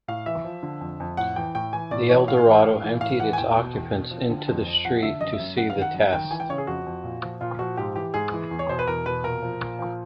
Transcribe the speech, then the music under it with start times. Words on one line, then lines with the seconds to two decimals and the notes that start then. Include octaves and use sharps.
The Eldorado emptied its occupants into the street to see the test.
0.08 A2 F5
0.26 E3 E5
0.44 F3
0.63 D3
0.81 F2
1.00 F2
1.17 A2 F#5
1.36 E3 G5
1.55 A2 G5
1.73 E3 G#5
1.91 A2 D5
2.09 E3 C#5
2.28 A2 F5
2.47 E3
2.65 A2
2.83 E3
3.01 A2 F5
3.20 E3 F#5
3.33 G#5
3.38 E2 G5
3.57 B2
3.74 E2
3.93 B2
4.11 F3
4.30 D3
4.48 F2
4.66 F2
4.85 F3 F#5
5.03 D3 E5
5.21 F#2 D#5
5.33 E5
5.40 F#2
5.57 F#2 F#5
5.70 F5
5.76 D#3
5.82 F#5
5.94 F#2
6.13 D#3 G5
6.31 E3 G#5
6.40 G5
6.49 C#3 C#5
6.58 G#4
6.67 F2 F#4
6.86 F2
7.04 A#2
7.22 F3
7.41 A#2 F4
7.59 F3 F#4
7.77 G#2 G4
7.96 E3 G4
8.14 G#2 G#4
8.32 E3
8.51 E2
8.59 C#5
8.69 B2 C5
8.79 B4
8.87 E2 A#4
9.06 B2 B4
9.24 A#2 A#4
9.42 F3
9.61 A#2
9.79 F3